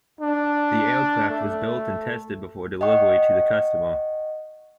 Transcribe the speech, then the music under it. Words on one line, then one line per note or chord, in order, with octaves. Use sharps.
The aircraft was built and tested before delivery to the customer.
D4
A3
D#5 F#5 G5 C#6